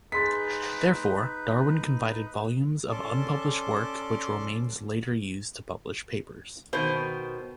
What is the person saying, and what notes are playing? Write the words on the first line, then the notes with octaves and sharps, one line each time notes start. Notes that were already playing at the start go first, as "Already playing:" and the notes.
Therefore, Darwin confided volumes of unpublished work which Romanes later used to publish papers.
D#4 G#4 B4 C6 A6 B6
C#4 A4 D5 A5 C6 D6
B2 D#3 C5